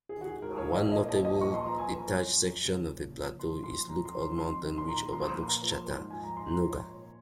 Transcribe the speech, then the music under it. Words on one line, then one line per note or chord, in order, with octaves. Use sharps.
One notable detached section of the Plateau is Lookout Mountain, which overlooks Chattanooga.
G#4
D#3 F#4
G#4
G#2 A#4
C#5
D#3 F5
D#5
A#2 D#5
D#5
F3
D#5
A#2 C#6
C6
F3 A#5
G#5
F3
F#2
F#2
C#3
A#2
F3
A#2 C6
F3 C6
F2 A#5
C6
D#3
C6
F2 C6
D#3
C6
A#2 A#5
F3 C6
A#2
F3
G#2
F3 G#5
A#5
G#2 C6
A#5
C6
F3
C#5
A#2